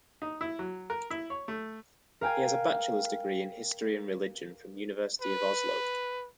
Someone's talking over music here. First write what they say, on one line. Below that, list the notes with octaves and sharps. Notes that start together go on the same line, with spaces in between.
He has a bachelor's degree in history and religion from University of Oslo.
D#4
E4
F#3
A#4
E4
C#5
A3
A#4 F5 G5 G#5
B4